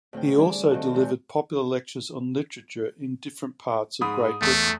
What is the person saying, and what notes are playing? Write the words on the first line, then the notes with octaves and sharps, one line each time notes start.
He also delivered popular lectures on literature in different parts of Great Britain.
D2 A2 C4 G5
G3 G#4 D5
D#3 C4 F4 F#4 A4
E2 G#3 G6
G#2 B5 D#6
E2 A3